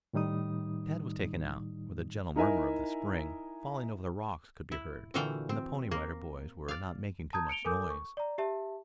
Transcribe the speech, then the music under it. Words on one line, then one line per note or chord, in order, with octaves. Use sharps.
Tad was taken out where the gentle murmur of the Spring falling over the rocks could be heard when the Pony Rider Boys were not making too much noise.
A2 D#3 G3 D#4 D#6
D#4 E4 A#4 D#5 E5 G#5
E4
A#2 D3 E3 F#4 F5 G5
C4
A#3
D5 F5
A5 A#5 D#6 G6 G#6
C#7 D7 F7 G7
A4 A#4 G#5 D6 D#6 G6
C#6
D5 A#5
G4 E5 A5